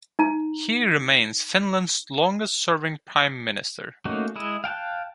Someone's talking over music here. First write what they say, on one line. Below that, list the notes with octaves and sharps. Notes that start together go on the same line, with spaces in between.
He remains Finland's longest-serving prime minister.
D#4 A#5
A3 A#3 C#4 D#4 F#4
G#3 E4 D#5
F5 G5 A5 F#6